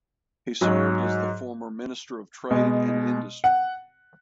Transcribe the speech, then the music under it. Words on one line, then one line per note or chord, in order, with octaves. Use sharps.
He served as the former Minister of Trade and Industry.
G#2 F#3
B2 G#3
F#5